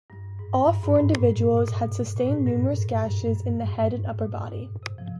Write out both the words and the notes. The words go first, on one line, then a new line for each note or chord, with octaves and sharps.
All four individuals had sustained numerous gashes in the head and upper body.
G2
G#2
G2
G2
G#2
A2
A#2
B2
A#2
A2
G#2
G2
G2
F#2
G2
G#2
A2
A#2
B2
C3
F3